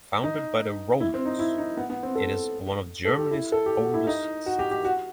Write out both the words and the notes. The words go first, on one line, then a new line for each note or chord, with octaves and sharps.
Founded by the Romans, it is one of Germany's oldest cities.
D#4
E4
C4
D#4
E4
D#4
B3
B3
C4
A4
A4
G4
E4
A4
G4
F#4
E4
D#4
F#4
G4
G4
F#4